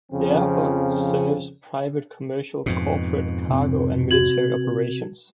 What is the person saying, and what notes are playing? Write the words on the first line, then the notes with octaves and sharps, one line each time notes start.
The airport serves private, commercial, corporate, cargo and military operations.
F2 C#3 F3 C4
F2 G#2 B2
C3 C4
F#4 G#6 F#7